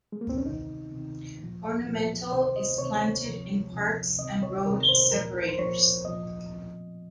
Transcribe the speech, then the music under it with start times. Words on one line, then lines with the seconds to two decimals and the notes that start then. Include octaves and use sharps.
Ornamental is planted in parks and road separators.
0.12 G#3
0.21 A#3
0.29 C4
0.38 C#4
0.46 C3 D#3 D#4
0.92 C3 D#3
1.39 A#2 F3
1.85 A#2 F3
2.32 C3 D#3 C5
2.56 D#5
2.78 C3 D#3 C#5
3.25 C3 F3
3.72 C3 F3
4.18 C3 D#3 D#5
4.43 C#5
4.65 C3 D#3 A#4
4.89 C5
5.12 A#2 F3 A#4
5.48 C5
5.59 A#2 F3 C#5
6.05 A#2 F3 D#5